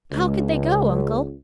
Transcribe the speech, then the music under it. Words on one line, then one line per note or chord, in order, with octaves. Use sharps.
"How could they go, Uncle?"
C#2